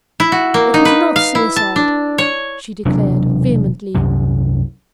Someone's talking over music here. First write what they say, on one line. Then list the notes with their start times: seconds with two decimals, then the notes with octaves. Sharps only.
"It was not suicide," she declared, vehemently.
0.20 E4
0.32 F#4
0.54 A#3
0.74 D#4
0.85 B4
1.16 F5
1.35 E4
1.56 A5
1.76 D4
2.18 C#5
2.85 E1 C3 F#3 D4
3.95 C2 F#2 C3